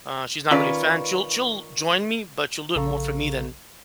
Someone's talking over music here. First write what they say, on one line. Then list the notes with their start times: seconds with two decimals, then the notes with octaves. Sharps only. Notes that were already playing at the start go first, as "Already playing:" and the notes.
Uh, she's not really a fan. She'll she'll join me, but she'll do it more for me than
0.51 D#3 C#4 F4 B4 D5
2.76 A#1 C#3 A4 F5 A#5 C#6